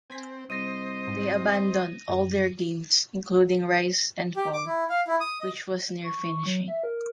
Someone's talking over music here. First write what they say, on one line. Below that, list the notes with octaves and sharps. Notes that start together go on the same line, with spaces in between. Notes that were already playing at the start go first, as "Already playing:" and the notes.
They abandoned all their games, including "Rise and Fall", which was near finishing.
C4 G#5 G#6 B6
C2 C5 D#5 A#6 D#7
G#2
F#2
G4
D6
E4
F5
E4
D#6
D#5
C#6
F#3
E5
A#4